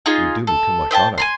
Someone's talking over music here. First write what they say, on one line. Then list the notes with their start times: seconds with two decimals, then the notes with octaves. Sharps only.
"You do me too much honour."
0.06 D#4 F4 G#4
0.47 A4
0.91 C5 E5 G5 A5
1.18 G#5 A#5 C6